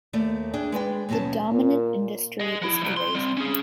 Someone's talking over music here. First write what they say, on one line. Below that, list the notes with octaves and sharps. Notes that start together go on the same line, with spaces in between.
The dominant industry is grazing.
D#2 A3 D5
D4 G#4 G5
G#3 B4 D5 G5
D#2 B2 F#3 C#4 A5
A#2
G#4 D#5
F3 E4
C2 E3
C6
G3 C4
C#4 G#4